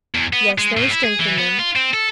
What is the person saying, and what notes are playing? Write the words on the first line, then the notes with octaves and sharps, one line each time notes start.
Yes, there was strength in them.
E2
B3
G#3
A2
E4
G#4
E3
B3
F4
C4
A4